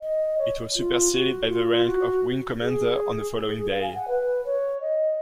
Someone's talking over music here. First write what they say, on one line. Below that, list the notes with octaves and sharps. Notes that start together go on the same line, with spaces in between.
It was superseded by the rank of wing commander on the following day.
D#5
C#5
F4
F#4
F4
F4
F#4
G#4
G#4
G#4
F5
G#5
F#5
B4
C#5
D#5